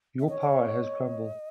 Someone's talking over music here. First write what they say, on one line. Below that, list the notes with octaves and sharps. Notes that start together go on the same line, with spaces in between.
Your power has crumbled.
E5
C#5 D#5
D#5
E5
D#5